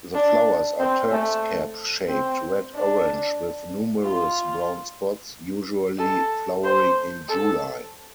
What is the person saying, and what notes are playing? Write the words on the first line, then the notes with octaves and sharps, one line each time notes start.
The flowers are Turk's-cap shaped, red-orange, with numerous brown spots, usually flowering in July.
D4
C4
A3
C4
D4
F4
A4
C5
A4